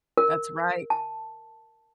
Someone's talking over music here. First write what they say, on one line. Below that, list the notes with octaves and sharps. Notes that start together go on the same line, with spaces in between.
That's right.
A#4
A5